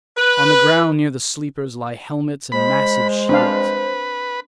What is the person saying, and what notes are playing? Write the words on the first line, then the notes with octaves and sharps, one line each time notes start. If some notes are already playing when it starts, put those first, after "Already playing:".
On the ground near the sleepers lie helmets and massive shields.
B4
G#3 C5 B5
C4 D4 B4 F5